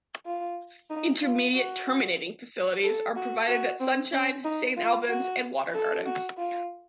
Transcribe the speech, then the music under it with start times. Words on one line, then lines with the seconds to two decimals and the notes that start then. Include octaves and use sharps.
Intermediate terminating facilities are provided at Sunshine, Saint Albans and Watergardens.
0.26 F4
0.90 D#4
1.23 F4
1.54 F#4
2.84 A4
3.16 F#4
3.48 F#4
3.80 C4
4.13 C#4
4.44 D#4
4.77 F4
5.09 F#4
5.74 A4
6.06 F#4
6.38 F4